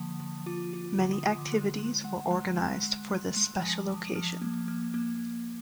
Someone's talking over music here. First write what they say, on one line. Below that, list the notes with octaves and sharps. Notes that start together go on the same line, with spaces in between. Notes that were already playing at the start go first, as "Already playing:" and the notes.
Many activities were organised for this special occasion.
Already playing: D3 F3 A#3
F3
F4 D6
F4
D3 D6
D#6
D3 D#6
D6
G#3
G#3
G#3 F#5
G#3
G#3 B5
G#3
G#3
G#3
F3 G#5
F3 D6
F3 F6
A#3
A#3 F6
A#3